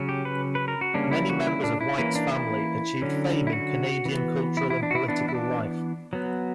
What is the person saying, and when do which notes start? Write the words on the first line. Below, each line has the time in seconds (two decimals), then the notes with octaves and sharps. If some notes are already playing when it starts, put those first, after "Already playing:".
Many members of White's family achieved fame in Canadian cultural and political life.
Already playing: C#3 F#3 C#4
0.09 G4
0.25 B4
0.55 B4
0.68 A#4
0.81 F#4
0.94 C#3 G3 A#3 C#4 D4
1.11 E4
1.30 F#4
1.47 E4
1.64 D4
1.81 E4
1.98 E3 A#3 C#4 E4
2.15 D4
2.33 E4
3.02 D3 F#3 C#4
3.47 E4
3.53 F#4
4.05 E3 B3
4.57 E4
4.70 E4
4.83 D4
4.91 F#4
4.95 E4
5.08 E3 B3 D4
5.29 E4
5.35 D4
6.13 F#3 B3